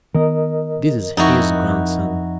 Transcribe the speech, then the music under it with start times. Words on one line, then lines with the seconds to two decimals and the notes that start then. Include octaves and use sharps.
This is his grandson.
0.15 D#3 B3 A#4 D#5
1.17 F2 D#4 E4 F#4